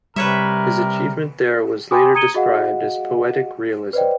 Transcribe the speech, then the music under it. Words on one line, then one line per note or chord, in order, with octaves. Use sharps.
His achievement there was later described as poetic realism.
C3 G3 A#4 B4 C#5 E5
G5 G#5 B5 C6 D6 D#6
A#5 D#6 G#6 C#7 D#7 G7
F#4 G#4 D#5 F5 F#5
B4 C5 D5 D#5 G5